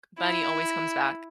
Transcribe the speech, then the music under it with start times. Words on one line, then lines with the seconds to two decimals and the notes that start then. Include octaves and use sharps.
money always comes back?
0.21 E4